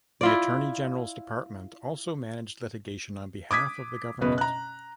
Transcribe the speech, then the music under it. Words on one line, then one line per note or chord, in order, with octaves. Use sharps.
The Attorney-General's Department also managed litigation on behalf of the government.
E4 F4 D5
D6 D#6 G#6 B6
F#1 B2 B4
A#5 F#6